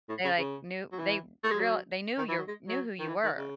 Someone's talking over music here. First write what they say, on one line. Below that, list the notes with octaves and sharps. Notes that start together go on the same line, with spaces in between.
They like knew they real they knew your knew who you were.
A2
C#3
C#3
F#3
E3
A3
G#3
F#3
D#3
E3
F#3
G#3
F#3
D#3
E3
D#3
C#3